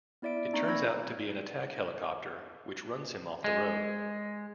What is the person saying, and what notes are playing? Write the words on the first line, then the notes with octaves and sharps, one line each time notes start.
It turns out to be an attack helicopter, which runs him off the road.
B3 E4 D5 E5 D7
E4
A#3 C4 D#4 D5 A#5 C#6
A#5 B5 E6 G#6 A#6
G#3